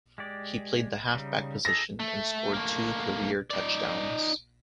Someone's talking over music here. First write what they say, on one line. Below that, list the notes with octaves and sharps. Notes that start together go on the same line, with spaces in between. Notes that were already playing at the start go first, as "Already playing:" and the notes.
He played the halfback position and scored two career touchdowns.
G#3 G4 D5
C#3 G3 D#4
D#4 G#4 A4 A#6
A3
A3 A#3
D#4 D5